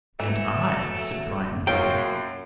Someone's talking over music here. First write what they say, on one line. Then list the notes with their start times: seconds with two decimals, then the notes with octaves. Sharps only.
"And I," said Brian the Brave.
0.20 E3 F#3 A3
1.67 F#2 F#3 A#3 F4 G5